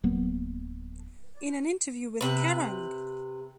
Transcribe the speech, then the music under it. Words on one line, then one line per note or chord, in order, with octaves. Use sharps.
In an interview with Kerrang!
D1 F#3 A#3 B3
C3 B4